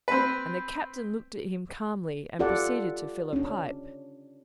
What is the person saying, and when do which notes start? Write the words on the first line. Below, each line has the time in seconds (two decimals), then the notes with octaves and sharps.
And the captain looked at him calmly and proceeded to fill a pipe.
0.08 C4 B4
2.39 F4 G4 A4 D5 F#5
3.33 C#4 D4